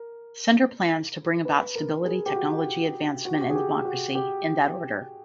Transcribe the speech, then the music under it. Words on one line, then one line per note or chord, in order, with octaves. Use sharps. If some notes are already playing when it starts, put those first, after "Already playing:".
Center plans to bring about stability, technological advancement and democracy, in that order.
Already playing: A#4
B4
A#4
G#4
G4
F#4
F#4
G4
F#4
G#4
G4
F#4
G4